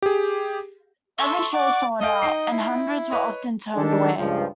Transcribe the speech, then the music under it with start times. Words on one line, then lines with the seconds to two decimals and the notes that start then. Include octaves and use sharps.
Every show sold out, and hundreds were often turned away.
0.02 G4 G#4
1.18 A4 E5 C6 C#6
1.53 D5 F#5 D6
2.01 A4 D#5 F5 G5
2.22 D#4 G5 C7
2.52 E4
3.11 B4 C#5 D#5
3.75 D#3 G3 G#3 D4 G4 A4
4.17 C#2 G2 F3